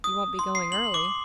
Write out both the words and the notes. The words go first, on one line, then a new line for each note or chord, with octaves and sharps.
"You won't be going early."
D#6
C6
C7
F#7
D6